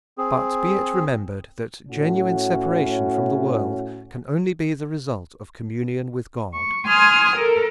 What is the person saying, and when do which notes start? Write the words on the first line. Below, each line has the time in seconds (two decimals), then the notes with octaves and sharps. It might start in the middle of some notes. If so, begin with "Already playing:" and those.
But be it remembered that genuine separation from the world can only be the result of communion with God.
0.18 C4 G#4
1.89 A2 C#4 F#4
6.54 C#6
6.87 G#5 C6 D#6 F6 G#6
7.35 A4 A#4